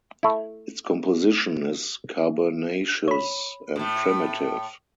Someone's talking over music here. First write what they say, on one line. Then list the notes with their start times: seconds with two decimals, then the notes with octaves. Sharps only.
Its composition is carbonaceous and primitive.
0.23 A3 E4
3.08 C#5 B5
3.76 A2 A3